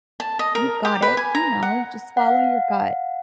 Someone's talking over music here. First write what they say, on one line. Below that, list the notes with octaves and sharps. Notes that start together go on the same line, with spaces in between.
you've got it. You know. Just follow your gut.
A5
D#5
A#4
G4
B4
G#5
A#5
F#5
F5 F#5